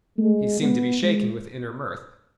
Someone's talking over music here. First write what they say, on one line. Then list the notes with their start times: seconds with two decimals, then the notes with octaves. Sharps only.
He seemed to be shaken with inner mirth.
0.18 G#3 A3
0.60 G#3 B3
1.02 G#3